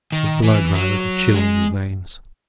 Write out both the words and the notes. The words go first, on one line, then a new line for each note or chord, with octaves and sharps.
His blood ran a little chilly in his veins.
D#3
E3
F#3
G#3